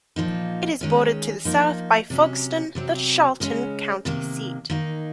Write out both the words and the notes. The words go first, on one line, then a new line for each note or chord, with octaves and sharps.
It is bordered to the south by Folkston, the Charlton County seat.
A#2 F3 A#3 D#4
D#3 G#3 C#4
F3 A#3 D#4
C3 F#3 C#4
C3 F#3 C4
C#3 G#3 C#4
C3 D#3 A#3
D#3 A#3 D#4